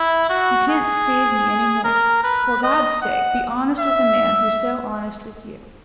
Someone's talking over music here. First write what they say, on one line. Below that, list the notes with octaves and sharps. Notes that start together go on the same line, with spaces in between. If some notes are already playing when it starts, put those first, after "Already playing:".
You can't deceive me any more; for God's sake be honest with a man who's so honest with you.
Already playing: E4
F#4
G#4
A#4
B4
D#5
F#5
E5